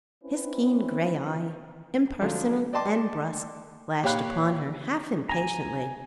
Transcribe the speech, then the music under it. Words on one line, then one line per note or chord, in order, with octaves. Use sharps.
His keen grey eye, impersonal and brusque, flashed upon her half impatiently.
C4 C#4 E4 B4
D3 F3 F#3 A3
D5 D#5 G5 A5 C6 D6
A#2 G4 C#5 F5 B5 F#6
G#5 A#5